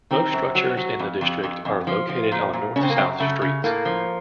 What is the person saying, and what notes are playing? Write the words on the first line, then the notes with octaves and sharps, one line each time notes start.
Most structures in the district are located on north-south streets.
D#3 C4
F#2
F#3
F#3
F2
F2
F2
F2
F3
F3
A#2
A#2
C#3 C#4
C4
A#3
F#2 C4
C#3 A3
C#3
A2 A#3
F3